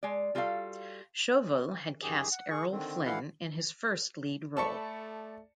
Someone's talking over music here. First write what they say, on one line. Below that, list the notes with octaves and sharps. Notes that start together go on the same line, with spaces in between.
Chauvel had cast Errol Flynn in his first lead role.
G#3 D5
G3 F4 F#4 A4 F5
F#2 D#3 G4 G#4
F#5
G#4 C#6
D3 D#3 C4
D3 E3 E4 F5 F#5
A3 A4 D5 A5 B5 C#6 C#7